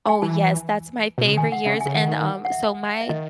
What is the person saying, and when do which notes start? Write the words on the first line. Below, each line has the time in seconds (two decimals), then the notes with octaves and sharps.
Oh, yes, that's my favorite years and, um, so my
0.09 G#5
0.22 E3 A5
1.18 B2
1.28 C#3
1.37 D#3 G#5
1.52 F#5
1.65 C#3 E5
1.81 G#5
1.86 C#3
1.95 D#3 F#5
2.45 F#5
2.52 E5
3.01 E5
3.09 D#3 D#5